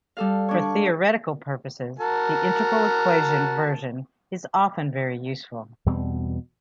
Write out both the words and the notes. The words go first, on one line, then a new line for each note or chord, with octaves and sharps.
For theoretical purposes, the integral equation version is often very useful.
G3 A4 F5
D4 C#5
F#4 A#4 A5
E2 B2 G3 C4